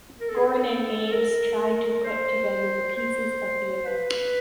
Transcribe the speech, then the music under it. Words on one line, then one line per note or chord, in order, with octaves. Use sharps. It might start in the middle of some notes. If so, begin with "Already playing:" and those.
Goren and Eames try to put together the pieces of the event.
A#4
A4
G#4
A4
A4
A#4
C5
C5
B4